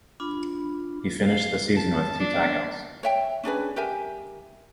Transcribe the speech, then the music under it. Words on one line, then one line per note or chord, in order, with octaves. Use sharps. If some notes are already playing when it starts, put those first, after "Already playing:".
He finished the season with two tackles.
D4 F4 B5
F5
A5
D4
C#5 E5 G5
C#4 D4 G#4 B4
G4 A#4 E5 G#5